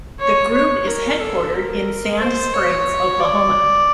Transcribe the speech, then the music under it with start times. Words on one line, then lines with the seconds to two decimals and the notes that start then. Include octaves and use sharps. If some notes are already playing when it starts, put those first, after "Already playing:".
The group is headquartered in Sand Springs, Oklahoma.
0.20 C#5
0.53 C#5
0.87 A#4
1.20 A4
1.54 A#4
2.20 C5
2.53 C#5
3.20 D5